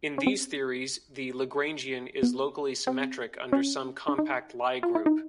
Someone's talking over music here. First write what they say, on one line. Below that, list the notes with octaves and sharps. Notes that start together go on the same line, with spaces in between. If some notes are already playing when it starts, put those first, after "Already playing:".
In these theories, the Lagrangian is locally symmetric under some compact Lie group.
C#4
C4
B3
C4
C#4
D4
D#4
F4
E4
D#4